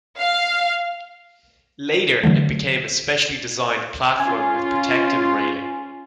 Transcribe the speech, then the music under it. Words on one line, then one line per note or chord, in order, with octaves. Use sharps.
Later, it became a specially designed platform with protective railing.
F5
D3 E3 F#3 A3
C#4 F4 G#5